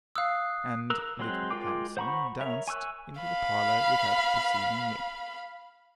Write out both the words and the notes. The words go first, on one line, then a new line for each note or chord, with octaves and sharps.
And Little Handsome danced into the parlor, without perceiving me.
F5 D#6 E6 F#6 C7
A#4 E6 F#6
F#3 G#3 C4 C6 F#6
G#3 F4 A#4 G5 D6
C5 F#5 A#5 B5 C#6
A#4 C#5 E5
G#5 C#6 E6 F#6
F5 B5